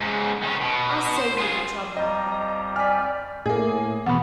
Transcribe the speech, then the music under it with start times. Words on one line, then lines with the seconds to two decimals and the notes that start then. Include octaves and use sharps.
I'll save you the trouble.
0.01 G#2 C#3
0.43 D#3 C#4
0.61 B2
1.16 C5
1.38 F4 G#4
1.97 F2 G3 D#5 A#5
2.76 D5 G#5 F6 B6
3.46 A2 A#3 G#4
4.06 E2 B2 B3 F#5 B5